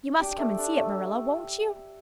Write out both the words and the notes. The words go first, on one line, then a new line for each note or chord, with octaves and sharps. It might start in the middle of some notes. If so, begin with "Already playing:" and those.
You must come and see it, Marilla--won't you?
D4 G4
A3
D4
A3